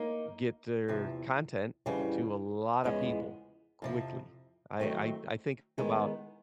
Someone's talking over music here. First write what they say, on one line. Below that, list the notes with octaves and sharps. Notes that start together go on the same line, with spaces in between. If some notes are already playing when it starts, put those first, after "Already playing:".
get their content to a lotta people quickly. I I I think about,
Already playing: A#3 D#4
E2 C3 F3
F2 C#3 E3 G3
E2 C#3 F3 G#3 B3
F2 C3 F3
D#3 F#3 A3 C4
D#3 G#3 B3